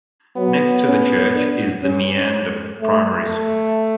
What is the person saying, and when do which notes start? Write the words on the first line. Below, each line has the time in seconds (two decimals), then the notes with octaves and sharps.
Next to the church is the Meander Primary School.
0.37 F#3 B3
0.86 C#4
1.34 D4
1.83 C#4
2.82 A3
3.30 A3